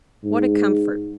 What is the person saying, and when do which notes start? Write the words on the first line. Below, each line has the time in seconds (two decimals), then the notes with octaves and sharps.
What a comfort.
0.24 G#2